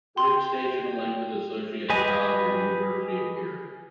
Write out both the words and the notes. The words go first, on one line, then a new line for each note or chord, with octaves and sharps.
For each station, a link to the associated college or university appears.
G5 C6
G4 G#4 B4 D#5 G#5